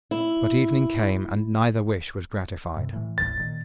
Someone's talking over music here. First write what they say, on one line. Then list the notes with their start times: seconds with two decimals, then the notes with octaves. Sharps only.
But evening came and neither wish was gratified.
0.11 E4
2.76 G2 C3
2.93 A2 E3
3.18 D#1 A1 E2 A6
3.39 A#2 D#3